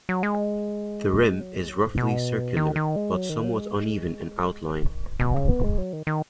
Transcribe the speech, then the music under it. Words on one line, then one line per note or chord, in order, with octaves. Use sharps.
The rim is roughly circular but somewhat uneven in outline.
F#3
G#3
F#3
G#3
F#3
G#2
B2
D#3
D#3
G#3
F#3
D#3
F#3
G#3
D#3
B2
B2
C#3
B3
G#3
F#3
D#3
D#3